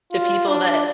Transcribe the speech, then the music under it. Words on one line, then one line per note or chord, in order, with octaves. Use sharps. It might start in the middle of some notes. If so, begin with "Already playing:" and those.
to people that
F4
D4